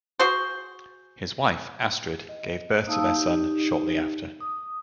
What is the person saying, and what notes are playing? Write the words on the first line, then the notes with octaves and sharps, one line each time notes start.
His wife, Astrid gave birth to their son shortly after.
F#4 G#4 C5
D#5
A#3 D#4 F5 A5 D#6 E6
D#4 G4
D#6